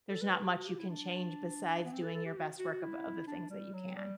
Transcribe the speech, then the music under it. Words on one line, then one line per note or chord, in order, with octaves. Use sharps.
there's not much you can change besides doing your best work of of the things that you can,
A4
B4
B4
G4
F#4
G4
E4
D4
B3
C4
A4
A4
G4
F#4
F#4
F#4
E4
D4
G3
F#3
G3